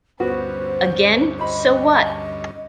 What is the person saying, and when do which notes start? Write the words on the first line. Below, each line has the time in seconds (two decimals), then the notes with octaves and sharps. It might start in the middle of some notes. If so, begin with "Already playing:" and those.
Again, so what?
0.20 D2 G2 B3 C#4 F#4 C5
1.39 C5 D#5 B5